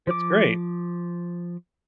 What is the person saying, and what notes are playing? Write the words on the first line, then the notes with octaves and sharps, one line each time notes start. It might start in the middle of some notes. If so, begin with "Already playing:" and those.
That's great.
F3 D6